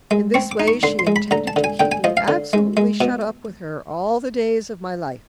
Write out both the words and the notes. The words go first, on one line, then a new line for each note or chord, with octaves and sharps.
In this way she intended to keep me absolutely shut up with her all the days of my life.
G#3
C4 C#6
D6
D#4
C#6
D3 C6
C6
G#3
B5
D3 A#5
A5
D3
G#5
D3 G5
G#5
F3 D#5
F5
D3
G#3
G#3
B2